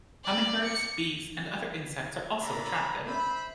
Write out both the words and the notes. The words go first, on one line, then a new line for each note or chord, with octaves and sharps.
Hummingbirds, bees and other insects are also attracted.
D5
C#7
D4 A4 C#5 A#5 B5
C5 E5 B5